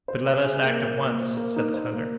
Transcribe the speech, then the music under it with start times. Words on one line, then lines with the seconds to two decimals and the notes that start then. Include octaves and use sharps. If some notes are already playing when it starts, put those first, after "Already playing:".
"But let us act at once!" said the hunter.
0.08 C5
0.27 C5
0.45 G#4
0.64 A#3
0.82 A#2
1.01 A#2
1.20 C5
1.37 A#3
1.56 D#4
1.74 C5
1.92 A#3